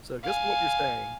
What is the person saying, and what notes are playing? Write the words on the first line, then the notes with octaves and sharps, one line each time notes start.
So just what you're saying
F5 G#5